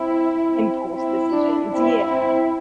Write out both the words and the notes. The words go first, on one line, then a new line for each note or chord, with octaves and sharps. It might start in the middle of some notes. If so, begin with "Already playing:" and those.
impulse decisions, yeah.
Already playing: C4 E4
C4
C4 E4
D4
C4 E4
C4